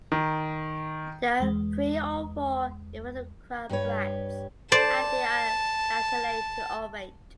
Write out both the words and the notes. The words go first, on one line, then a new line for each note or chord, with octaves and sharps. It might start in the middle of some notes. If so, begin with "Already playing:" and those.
There are three or four involucral bracts and they are lanceolate to ovate.
D#3
E2 G#3
G2 G4 B4 C#5
C5 D5 A5